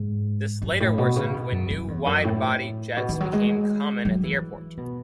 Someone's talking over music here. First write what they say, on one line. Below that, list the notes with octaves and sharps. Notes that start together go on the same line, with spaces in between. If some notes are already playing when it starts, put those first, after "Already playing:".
This later worsened when new wide-body jets became common at the airport.
Already playing: G#2
F#2
A2
B2
C#3
B2
F#2
F#2
E2
F#2
A2
B2
D#3
F#3
G#3
F#3
E3
B2